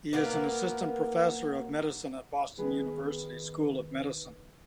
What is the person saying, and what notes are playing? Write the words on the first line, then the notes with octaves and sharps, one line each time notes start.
He is an assistant professor of medicine at Boston University School of Medicine.
A#3 B3 A#4 F5
D#3 B3 G#4 B4